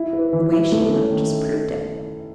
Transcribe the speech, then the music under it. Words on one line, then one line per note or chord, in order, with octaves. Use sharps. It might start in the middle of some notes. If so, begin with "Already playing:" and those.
The way she looked just proved it.
Already playing: E4
B4
E3
E4
A3
C#4
D#3